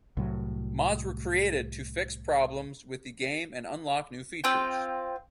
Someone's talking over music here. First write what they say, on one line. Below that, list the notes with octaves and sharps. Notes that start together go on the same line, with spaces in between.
Mods were created to fix problems with the game and unlock new features.
C2 A2 F#3
C4 F4 G5